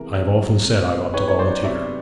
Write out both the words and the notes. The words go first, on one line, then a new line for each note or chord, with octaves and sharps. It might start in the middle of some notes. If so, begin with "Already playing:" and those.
I have often said I ought to volunteer.'
Already playing: C3 E3 G#3 A#4
E2
F#3
C3
B3
D#3 B4 C#5
C#5
F#3 C5 D5
C3 D5 E5